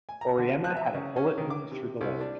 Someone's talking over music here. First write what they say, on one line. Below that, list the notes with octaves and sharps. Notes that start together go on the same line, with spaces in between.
Oryema had a bullet wound through the leg.
G#5
A#5
D3
F#6
E5
C#3
C#4
D#3
D6
C3
C2
D4